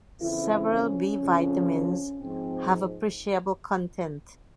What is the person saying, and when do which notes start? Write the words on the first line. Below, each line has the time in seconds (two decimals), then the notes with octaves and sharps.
Several B vitamins have appreciable content.
0.20 F2 C#3 E3 E4
0.71 C#4
1.21 F2 C#3 F3
2.20 G#2 F3 C4